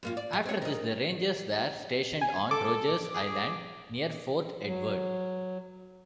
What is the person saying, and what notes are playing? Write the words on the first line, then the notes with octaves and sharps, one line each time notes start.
After this, the Rangers were stationed on Rogers Island near Fort Edward.
F#2 A#3 F4
D5
F#3 F4
C4 C#5
A#4 D#5
G#5
A4 D6
G#4
F#3